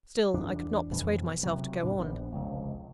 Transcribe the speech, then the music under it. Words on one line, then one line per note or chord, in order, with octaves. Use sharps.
Still I could not persuade myself to go on.
E2 D4
F2 B2 E3
C3 F#3
A#2 D4
A#1 B3
F1 C#2